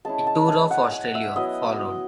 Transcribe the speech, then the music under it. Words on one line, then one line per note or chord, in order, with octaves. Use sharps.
A tour of Australia followed.
G#3 C#4 E4 A5
A5
G#5
F#5
G#5
E5
F#3 B3 E4 D#5